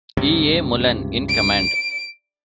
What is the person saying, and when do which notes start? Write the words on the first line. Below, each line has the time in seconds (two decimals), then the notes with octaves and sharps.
E. A. Mullan in command.
0.17 C#2 G2 C3
1.29 D7